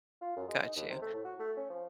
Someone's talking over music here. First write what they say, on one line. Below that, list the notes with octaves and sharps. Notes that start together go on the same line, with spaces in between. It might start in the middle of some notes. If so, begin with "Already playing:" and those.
Got you.
F4
F#2
G#3
D#4
D#2
C3
A3
A2
F#4
A3
C#4
F3